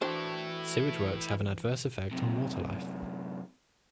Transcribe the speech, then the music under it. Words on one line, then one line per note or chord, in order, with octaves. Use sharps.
Sewage works have an adverse effect on water life.
E3 D4 E4 F#4 A4 C5 G5
F#2 C3